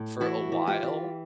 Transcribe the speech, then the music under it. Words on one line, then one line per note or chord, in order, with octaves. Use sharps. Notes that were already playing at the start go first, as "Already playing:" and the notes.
for a while,
Already playing: A2
E3 E4 F#4
E3
F4 G4
E3